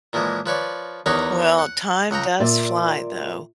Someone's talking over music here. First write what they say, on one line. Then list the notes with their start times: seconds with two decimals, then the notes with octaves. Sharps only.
Well, time does fly though.
0.13 A#2 E3 F3 G#3
0.46 F3 B4 C#5 D5
1.06 E2 D#4 G4 A#4 B4 C#5
1.58 F#5
2.11 C#2 F#5 G5 A#5
2.40 A#2 D5 E5